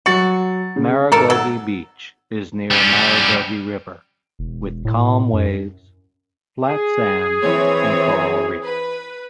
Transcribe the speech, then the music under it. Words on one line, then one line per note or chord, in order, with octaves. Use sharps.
Maragogi beach is near Maragogi River, with calm waves, flat sands and coral reefs.
F#3 F#4 A6 C#7
C#3
G#1 A4 A#4 A5
F#3 A4
G3 C#4
E1
A2
F#2
G#4
E3 C4 C#5
B4